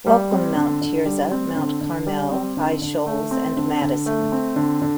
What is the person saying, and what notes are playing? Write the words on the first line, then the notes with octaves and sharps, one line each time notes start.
Welcome, Mount Tirzah, Mount Carmel, High Shoals, and Madison.
G3
C4
D3
D3
G3
C4
D3
D3
G3
C4
D3
D3
A3
C4
D3
D3
A3
C4
D3
D3